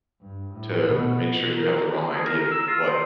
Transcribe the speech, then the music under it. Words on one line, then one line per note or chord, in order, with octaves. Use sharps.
to make sure you have the wrong idea of what
G2
A2
B2
A#4
G#4
A#4
A#4
E6
F4
C5